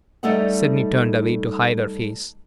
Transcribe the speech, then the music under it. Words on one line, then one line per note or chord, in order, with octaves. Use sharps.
Sydney turned away to hide her face.
G3 A3 D#4 A4 D#5 F#5